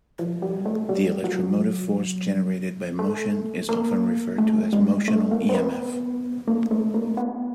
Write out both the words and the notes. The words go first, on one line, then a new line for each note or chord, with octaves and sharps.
The electromotive force generated by motion is often referred to as "motional emf".
F3
G3
A3
G3
F#3
A3
A#3
A3
G#3
A3
A#3
C4
B3
A#3
A3
A#3
B3